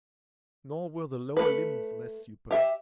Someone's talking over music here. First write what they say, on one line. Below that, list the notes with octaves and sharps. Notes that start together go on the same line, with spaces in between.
Nor were the lower limbs less superb.
A3 B4
G4 E5